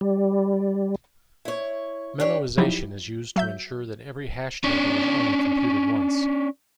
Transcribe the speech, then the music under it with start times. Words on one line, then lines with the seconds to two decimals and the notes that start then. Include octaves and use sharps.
Memoization is used to ensure that every hash table is only computed once.
0.01 G3
1.45 E4 C#5
2.20 D4 G4 C#5
2.58 F3 F#3 D#4 E4 G4
3.36 F#3 E5 G6
4.64 C#4 D4